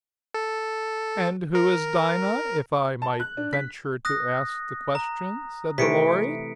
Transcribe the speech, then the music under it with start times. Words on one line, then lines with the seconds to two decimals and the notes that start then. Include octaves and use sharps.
'And who is Dinah, if I might venture to ask the question?' said the Lory.
0.34 A4
1.55 A#4
3.02 A5
3.20 F#6
3.37 D4
3.53 B6
4.05 D#6 F#6 A#6
4.95 A#5
5.78 C3 E3 A3 B6 C#7 D7